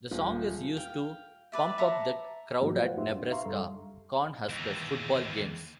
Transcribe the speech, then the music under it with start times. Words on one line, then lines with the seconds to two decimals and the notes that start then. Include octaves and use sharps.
The song is used to pump up the crowd at Nebraska Cornhuskers football games.
0.11 D#1
0.77 F5 G5
1.52 B4 D5 E5
1.78 E5 F#5 A5 A#5
2.61 G#2 F3 F#3 A3 A#3 F#4
2.78 F4 B4 C5 F5 F#5
2.97 F#2 D#4 G4 E5 C6
3.16 D4
3.31 E5 F5 A#5 C6 C#6
3.45 F#2 G3 A4
4.49 D#2 E3